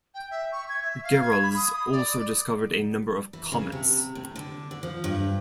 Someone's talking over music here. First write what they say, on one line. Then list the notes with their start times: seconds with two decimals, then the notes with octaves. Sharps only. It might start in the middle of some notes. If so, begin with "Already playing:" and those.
Gehrels also discovered a number of comets.
0.14 G5
0.30 E5
0.52 C#6
0.69 G#6
0.82 E5
1.03 F5
1.21 G#6
1.42 B5
1.56 D#6
1.72 D#6
1.92 D5
3.33 E3
3.52 C#3
3.72 C3
4.15 A2
4.36 D3
4.71 D3
4.83 F3
5.04 G2